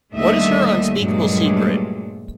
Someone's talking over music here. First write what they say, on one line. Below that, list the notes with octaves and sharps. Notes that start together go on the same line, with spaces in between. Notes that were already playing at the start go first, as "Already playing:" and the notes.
What is her unspeakable secret?
D#2 D3 G3 A3 D#5 E5
G2 A#2 F#3 G#3 A3